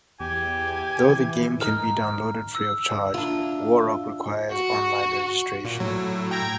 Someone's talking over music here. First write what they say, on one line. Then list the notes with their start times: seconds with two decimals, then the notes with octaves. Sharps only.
Though the game can be downloaded free of charge, War Rock requires online registration.
0.20 E2 G4 G#5
1.09 E3
1.61 D#4 A#4 F6
2.55 E6
3.14 D4 E4 F4
4.51 F#4
5.65 A#2
5.80 A2 F#3
6.31 G5 A#5 G#6